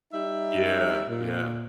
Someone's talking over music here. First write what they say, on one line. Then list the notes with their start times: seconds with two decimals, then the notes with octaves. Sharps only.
Yeah. Yeah.
0.12 G3 D#4 E5
1.09 A#2